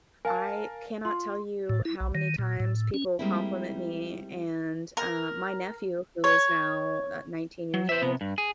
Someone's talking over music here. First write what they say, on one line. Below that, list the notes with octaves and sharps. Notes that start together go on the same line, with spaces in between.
I cannot tell you how many times people compliment me, and, uh, my nephew, who is now ni nineteen years old years old,
A#4 F5 G#5 A5
F4 C6
A2
E4
B1
D#3
A#2
A2
C#4
G3 G#3 A#3 C4 E4
A#4
C#5
F#3
C5 E5
C3 B3
G2
G#4